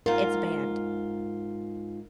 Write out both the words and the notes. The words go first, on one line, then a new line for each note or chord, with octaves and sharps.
it's banned.
G#2 F4 A#4